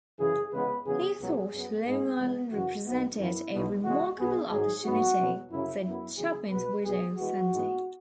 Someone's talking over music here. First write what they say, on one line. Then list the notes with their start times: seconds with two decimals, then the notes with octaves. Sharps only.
"He thought Long Island represented a remarkable opportunity", said Chapin's widow, Sandy.
0.19 F#2 C#3 E3 G#4
0.52 E2 C#3 G#3 B3 B4
0.85 E2 C#3 F#3 B3 G#4
1.19 C#2 B2 F#3 B3 G#4
1.52 F#2 F#3 B3
1.85 G#2 G#3 B3 G#4
2.18 C#2 C#3 E3 G#3 B3
2.52 F#2 C#3 E3 F#4
2.85 B1 B2 B3
3.18 F#2 E3 B3 E4
3.52 B1 B2 B3
3.84 E2 C#3 G#3 F#4
4.18 B1 B2 B3 G#4
4.51 G#1 G#2 F#3 G#4
4.84 G#2 F#3 B3 F#4
5.18 E2 B2 F#3
5.51 F#2 C#3 F#3 E4
5.84 F#2 F#3 B3 E4
6.17 E2 C#3 F#3 G#4
6.50 C#2 B2 B3 B4
6.84 B1 B2 G#3 B3 G#4
7.16 E2 E3 G#3 B3 F#4
7.50 G#2 E3 G#3 B3